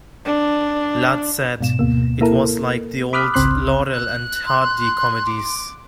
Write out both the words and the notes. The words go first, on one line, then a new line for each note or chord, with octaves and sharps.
Ladd said It was like the old Laurel and Hardy comedies.
D4
G#2 B2 E7
D2 B2 A#3
A#3 E4 A4 A#4
B5 D6 D#6 F6 F#6 B6
G#1 C#2 C#3 C4 C6 F#6
F#6
C6
D6